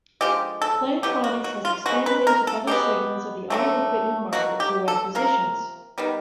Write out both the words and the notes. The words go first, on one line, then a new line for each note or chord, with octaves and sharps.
Plantronics has expanded into other segments of the audio equipment market through acquisitions.
D3 F3 G#3 G4
A4
B2 F#3 B3 G4
F#4
F#4
F4
B2 G#3 B3 F#4
B4
A#4
A4
B2 G#3 B3 G4
D3 F#3 A3
B2 F#3 A#3 F#4
G4
A4
C3 F3 A#3 A#4
D#3 G3 B3